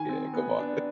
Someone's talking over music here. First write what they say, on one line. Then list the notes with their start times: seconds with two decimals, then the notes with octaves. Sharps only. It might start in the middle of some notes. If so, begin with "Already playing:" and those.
Yeah, come on.
Already playing: D#3 G#5
0.09 C4
0.33 B3
0.59 D4